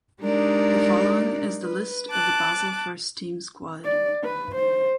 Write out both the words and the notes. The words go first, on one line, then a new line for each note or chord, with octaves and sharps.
The following is the list of the Basel first team squad.
G#3 D4 D#4 G4 A#4 D5
B4
A5 D6 F#6
D5
B4
C5